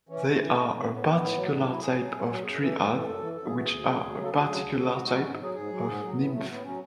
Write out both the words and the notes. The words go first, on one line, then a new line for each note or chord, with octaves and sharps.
They are a particular type of dryad, which are a particular type of nymph.
E3 C#4
A2 A3
E3
A3
A2
E3 D4
C#4
A2 B3
E3
A2
F#3
A2 D4
E4
F#3
E4
A2 G#4
F#3
A2
F#3
F#2 G#4
E3 A4
F#2
E3
F#2
E3
F#2 A4
G#4
E3 F#4
D2 G#4
C#3 F#3
D2
C#3 F#3
A4
D2 G#4
C#3 F#3
D2
C#3 F#3 G#4 A4
G#2 F#4
F#3
B3
G#2 C#4
F#3 G#4
G#2 G#4
F#3
G#2
F#3
A2 B3
F#3 A3
A2 B3
F#3 C#4